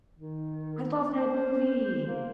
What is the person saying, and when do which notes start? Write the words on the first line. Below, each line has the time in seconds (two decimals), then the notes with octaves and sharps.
I love that movie!
0.18 D#3
1.13 C5
2.07 A#3